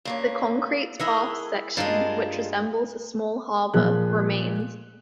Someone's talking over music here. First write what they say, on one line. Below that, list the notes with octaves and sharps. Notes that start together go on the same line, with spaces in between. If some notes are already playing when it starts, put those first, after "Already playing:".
The concrete baths section, which resembles a small harbour, remains.
G2 A#3 C#4
E4 G#4 A#4 D#5 F#5
G2 G#3 D4 F4 A#4
A#2 F3 G#4 F#6